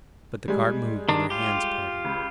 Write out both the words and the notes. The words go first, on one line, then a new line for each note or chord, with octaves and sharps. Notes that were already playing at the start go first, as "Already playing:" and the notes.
But the cart moved and their hands parted.
G3 G#3
D#3 D4
F4 G4
C#2